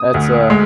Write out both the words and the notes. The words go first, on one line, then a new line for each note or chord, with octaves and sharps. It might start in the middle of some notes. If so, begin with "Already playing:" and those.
That's, uh
Already playing: D#6
D2
G#3